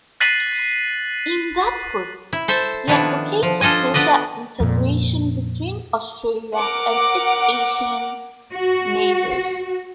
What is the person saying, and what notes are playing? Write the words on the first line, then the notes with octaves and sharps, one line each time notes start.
In that post, he advocated closer integration between Australia and its Asian neighbours.
F#6 A6 B6 C7 D#7 F#7
E4
A4 C5 E5 A5
D#3 F3 B3 D4 E4
F3
D4 F4 A4 D#5 G#5
B3 D4 B4 D5 D#5
F2 A#2
A#4 F#5 D6
F#4